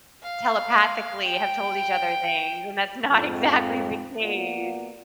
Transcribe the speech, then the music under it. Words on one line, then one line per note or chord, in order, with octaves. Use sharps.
telepathically have told each other things, and that's not exactly the case.
F5
G5
F2 G#2
A#3 B3 F4 F#4 D5 F#5